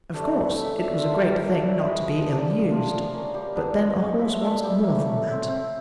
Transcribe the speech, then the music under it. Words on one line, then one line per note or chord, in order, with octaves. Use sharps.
Of course, it was a great thing not to be ill-used, but then a horse wants more than that.
A3 D4 G4
C#4
E4 A4
D4
F4 A4 C5
F#3
A#3 D4
E4
G#4 B4 D#5
F3
A#3 D4
A#3
D4 F4
F3
A#3 C#4
G3
B3 D4
F3
G#3 C#4
E4
A4 D5
G3
A#3 C#4
A3
C4 E4
C4